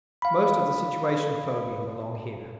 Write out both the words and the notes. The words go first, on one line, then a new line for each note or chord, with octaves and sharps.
Most of the situation-phobia belong here.
F5 B5